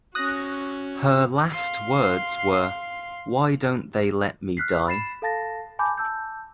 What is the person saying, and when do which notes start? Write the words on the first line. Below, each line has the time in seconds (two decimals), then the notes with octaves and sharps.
Her last words were, Why don't they let me die?
0.15 C#4 F#4 D#6 F#6 A#6
1.51 F5 C6
4.57 F6 F#6 B6 C7
4.87 B5 A6 C7 E7
5.22 A4 F5 A5 A6 A#6
5.79 G#5 A5 B5 D6 G6
5.97 A5 E6 G6